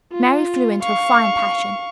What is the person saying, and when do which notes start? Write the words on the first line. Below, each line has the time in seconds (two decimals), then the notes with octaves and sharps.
Mary flew into a fine passion.
0.12 F4
0.83 F5 C#6